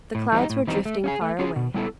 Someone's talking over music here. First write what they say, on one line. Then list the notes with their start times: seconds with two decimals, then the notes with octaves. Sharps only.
The clouds were drifting far away.
0.15 A2
0.32 E3 G3 C4 D#4
0.50 A2
0.67 E3 G3 C4 D#4
0.85 A3
1.04 C#4 F4 G#4
1.21 A3
1.39 C#4 F4 G#4
1.56 B2
1.74 G3 B3 E4 A4